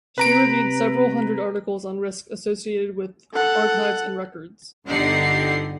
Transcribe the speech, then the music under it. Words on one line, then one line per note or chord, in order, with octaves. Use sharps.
She reviewed several hundred articles on risk associated with archives and records.
C3 B4 A#5 D7
A4 F#5
G1 D3 D#4 G4 F#5 C7